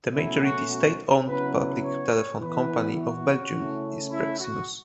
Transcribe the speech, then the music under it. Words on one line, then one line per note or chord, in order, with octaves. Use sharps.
The majority state-owned public telephone company of Belgium is Proximus.
B2 F#3 A3 C#4 E4
F#4
F#4
C#3 F#3 B3 E4 B4
B4
C#5
E3 B3 E4 B4
F#4
C#3 A3 C#4 E4
E4
F#4